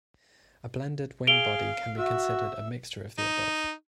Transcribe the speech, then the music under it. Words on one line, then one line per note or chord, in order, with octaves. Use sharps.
A blended wing body can be considered a mixture of the above.
G#4 F5 D7 F7 G7
F#4 E5
D#4